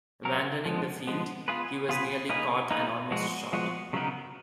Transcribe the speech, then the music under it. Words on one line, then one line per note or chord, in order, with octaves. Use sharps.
Abandoning the field, he was nearly caught and almost shot.
F#3 C#4 F#4 A#4
F3 G#3 B3
F3 G#3 B3
B3 F4 G#4 B4
B3 F4 G#4 B4
A#3 D#4 G#4 B4
A#3 D#4 G#4 B4
F3 G#3 B3 F#4
F3 G#3 B3 F#4
C#3 F#3 B3 D#4 A#4